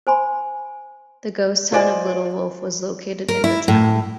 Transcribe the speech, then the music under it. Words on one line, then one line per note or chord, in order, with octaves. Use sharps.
The ghost town of Little Wolf was located in the town.
C5 G#5 B5 C6
F4 C5 D5 D#5 G#5
A#4
E4
A2